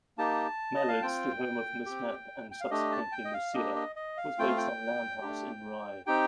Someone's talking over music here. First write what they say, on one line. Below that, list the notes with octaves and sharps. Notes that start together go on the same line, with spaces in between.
"Mallards", the home of Miss Mapp-and subsequently Lucia-was based on Lamb House in Rye.
A#3 D#4 G4 A5
D#5
F5
C4 F4 G5
C4 G4
G5
F5
A3 D4 G4 D#5
A5
G5
D#5
F5
A#3 D4 G4 D#5
D#5
D#5
F5
A3 C4 F4 G5
F5
G5
A3 D4 G4
C4 D#4 G4 G5